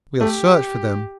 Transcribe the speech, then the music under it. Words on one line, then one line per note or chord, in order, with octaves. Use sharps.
We'll search for them.
A3 G4